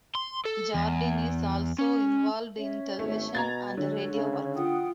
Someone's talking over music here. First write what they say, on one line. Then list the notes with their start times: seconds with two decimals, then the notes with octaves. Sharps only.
Jardin is also involved in television and radio work.
0.15 C6
0.45 A4
0.74 E2
1.78 C#4
2.57 C#4 C#5 E5
2.99 G#1 A3
3.35 B2 A#5 G#6 A6
3.77 D3 F#3 G#3 C#5
4.13 C#3
4.55 F4 F#5 G5 D#6